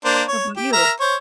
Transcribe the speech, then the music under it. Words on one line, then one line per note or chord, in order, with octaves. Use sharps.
How 'bout you?
A#3 D4 C5
C#5
G4
A#4 E5 A#5
C5 C#5